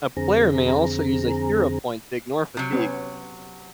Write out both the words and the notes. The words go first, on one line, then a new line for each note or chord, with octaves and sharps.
A player may also use a Hero Point to ignore fatigue.
F2 D3 C4 G#4 A#5
C3 F#3
B3 C#4 C#5